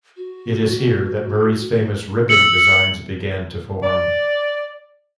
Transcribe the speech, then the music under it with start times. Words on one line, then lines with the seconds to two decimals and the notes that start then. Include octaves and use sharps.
It is here that Murray's famous ribbing designs began to form.
0.16 F#4
2.29 E6 C#7 F#7
3.83 D5